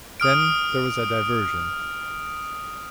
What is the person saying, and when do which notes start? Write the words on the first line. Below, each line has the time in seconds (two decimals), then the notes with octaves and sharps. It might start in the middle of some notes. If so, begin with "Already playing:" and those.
Then there was a diversion.
0.20 D#6 F6 D7